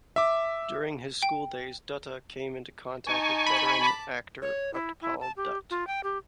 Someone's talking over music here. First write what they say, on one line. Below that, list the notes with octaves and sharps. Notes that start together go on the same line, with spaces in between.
During his school days Dutta came into contact with veteran actor Utpal Dutt.
E5 D6
G5
D#4 G#5 A5 C#6
B5
A5 D6
C#5
E4
E4
A5
G4
F4
G5
G4